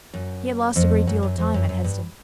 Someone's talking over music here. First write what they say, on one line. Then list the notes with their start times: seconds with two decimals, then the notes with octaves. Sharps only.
He had lost a great deal of time at Hesdin.
0.14 F#2
0.76 F2
1.07 F#2
1.23 F#2
1.38 F2
1.54 F#2
1.69 F#2
1.84 G2